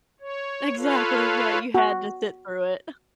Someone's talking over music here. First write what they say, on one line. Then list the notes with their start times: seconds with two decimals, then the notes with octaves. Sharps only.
Exactly, yeah, you had to sit through it.
0.20 C#5
0.78 F4 A4 B4 C#5 F5
1.74 F#4